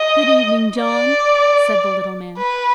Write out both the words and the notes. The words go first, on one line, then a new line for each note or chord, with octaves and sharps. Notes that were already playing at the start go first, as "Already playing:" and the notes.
"Good evening, John!" said the little man.
Already playing: D#5
D5
B4